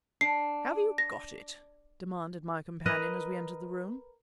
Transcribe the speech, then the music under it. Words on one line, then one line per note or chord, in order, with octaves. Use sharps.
"Have you got it?" demanded my companion as we entered the room.
D4 C7
A#6
A#4 B4 D#5